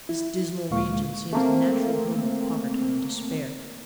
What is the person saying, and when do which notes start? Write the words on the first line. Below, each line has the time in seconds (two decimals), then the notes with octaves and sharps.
This dismal region seems the natural home of poverty and despair.
0.09 E4
0.70 D2 A#2 G#3 A#3 F5 C#6
1.33 A3 A#3 C4